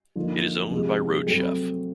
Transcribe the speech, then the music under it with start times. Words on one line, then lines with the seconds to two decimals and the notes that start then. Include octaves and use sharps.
It is owned by RoadChef.
0.15 D3 F3 A#3 D#4
0.71 C3 F3 G#3
1.26 F#3 A3 C4